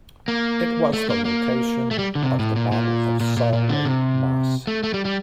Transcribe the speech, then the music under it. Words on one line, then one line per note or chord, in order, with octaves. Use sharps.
It was the location of the Battle of Solway Moss.
A#3
A3
A#3
A#3
A3
G3
D3
C3
A2
A#2
A#2
A#2
A#2
A#2
D3
C3
A3
A3
G3
G3